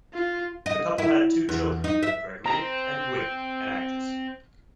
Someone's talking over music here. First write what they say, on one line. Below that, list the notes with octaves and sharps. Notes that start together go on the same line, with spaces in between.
The couple had two children, Gregory and Gwynne, an actress.
F4
D#5
E4
E2
D#4
E5
C4 C5 A#5